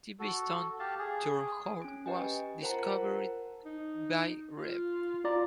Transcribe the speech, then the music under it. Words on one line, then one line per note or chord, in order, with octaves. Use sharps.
The Beeston Tor hoard was discovered by Rev.
F#4 A4
G4 F5 A5
G#4
C#4 D7
G4 B4 D#5 G5 G#5
F4 A#4 C5 F#5 A5 A#5
D#4
F4
F4 D5 A#5